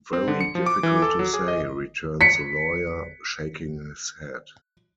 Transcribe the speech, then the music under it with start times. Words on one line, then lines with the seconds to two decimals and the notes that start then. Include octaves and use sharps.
"Very difficult to say," returns the lawyer, shaking his head.
0.13 C4
0.28 D3
0.41 C#7
0.55 F3
0.66 D6
0.83 E3
1.02 A4
1.19 F#3
1.34 G#4
1.48 D#5
2.21 B6 C#7